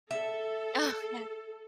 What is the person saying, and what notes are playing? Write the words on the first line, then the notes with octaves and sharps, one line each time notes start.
Oh, yeah.
A4 E5